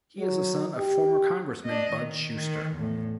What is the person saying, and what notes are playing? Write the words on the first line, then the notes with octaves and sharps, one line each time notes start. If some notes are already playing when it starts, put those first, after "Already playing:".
He is a son of former Congressman Bud Shuster.
F#3
G4
D4 D#5
D#3
D#3
E2 A2